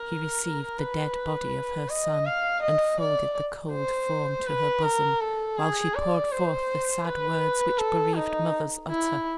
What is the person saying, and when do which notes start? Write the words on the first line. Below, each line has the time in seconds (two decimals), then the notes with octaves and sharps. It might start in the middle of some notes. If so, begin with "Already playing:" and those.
She received the dead body of her son, and folded the cold form to her bosom, while she poured forth the sad words which bereaved mothers utter.
Already playing: A#4
0.79 B4
1.89 D#5
2.26 F5
2.62 D#5
3.00 D5
3.73 C5
4.47 B4
4.83 A#4
5.21 A4
5.58 G#4
5.95 D5
6.32 C5
7.06 B4
7.79 A4
8.16 D#4
8.89 E4